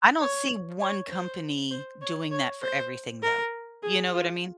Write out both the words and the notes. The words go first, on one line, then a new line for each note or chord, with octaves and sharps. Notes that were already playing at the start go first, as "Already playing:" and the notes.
I don't see one company doing that for everything, though, you know what I mean?
C#5
C#5
C5
C5
C#5
C#5
C5
A#4
G#4
F4